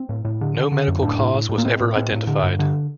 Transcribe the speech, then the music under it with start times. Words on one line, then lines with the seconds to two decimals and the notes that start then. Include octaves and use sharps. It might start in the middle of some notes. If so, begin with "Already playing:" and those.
No medical cause was ever identified.
Already playing: C4
0.09 A2
0.25 A2
0.41 D3
0.57 D3
0.72 D3
0.88 F#2
1.02 A2 D4
1.19 A2
1.34 A2
1.49 A2
1.58 A#3
1.65 A2 C4
1.80 A2
1.96 A2 C4
2.12 A2
2.27 D3
2.43 G2
2.59 D3